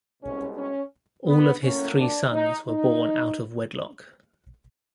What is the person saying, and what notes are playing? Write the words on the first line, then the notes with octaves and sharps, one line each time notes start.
All of his three sons were born out of wedlock.
C2 B2 G#3 C#4
C#4
B3
A2 F#3 A#3 C#4
D4
D#4
D#4